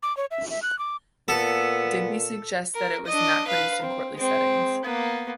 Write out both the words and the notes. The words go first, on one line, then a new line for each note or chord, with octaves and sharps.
Digby suggests that it was not produced in courtly settings.
D6
C#5
E5
E5
F#6
D6
A#2 B3 A4
A#4
D4 D#5
B4 F5
C4
G#3 C4
A#3 B3